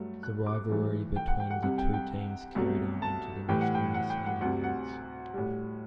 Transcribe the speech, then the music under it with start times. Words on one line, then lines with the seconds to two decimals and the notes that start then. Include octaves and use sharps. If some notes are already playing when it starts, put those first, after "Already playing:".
The rivalry between the two teams carried on into the National Wrestling Alliance.
Already playing: G2 F#3 A3
0.23 F#6
0.46 D6
0.69 G2 E3 A3
1.16 G5
1.28 F#5
1.40 G5
1.50 F#5
1.62 C2 C3 G3 F#5
1.78 G5
1.94 G5
2.55 C2 B2 F#3 A3
3.02 A5
3.48 A2 E3 G3 G5
3.61 F#5
3.75 G5
3.94 F#5
4.10 G5
4.26 F#5
4.41 D2 C3 G3 F#5
4.64 F#5
5.34 A2 G3